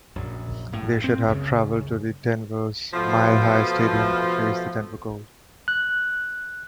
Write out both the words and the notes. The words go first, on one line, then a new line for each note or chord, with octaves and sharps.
They should have traveled to Denver's Mile High Stadium to face the Denver Gold.
A#1 F#2
G#1 A2
G1 C4
C#2 F#2 C#3
B2 F3 A3
F#6